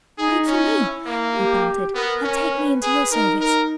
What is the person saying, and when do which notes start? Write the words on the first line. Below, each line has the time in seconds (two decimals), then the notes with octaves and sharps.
'Wait for me,' he panted, 'and take me into your service.
0.18 D#4 G#4
0.47 C#4
0.77 E4
1.06 A#3
1.31 E4
1.35 G4
1.94 B3 A#4
2.24 C#4
2.54 B4
2.82 G#4
3.12 D#4 A#4
3.41 A#4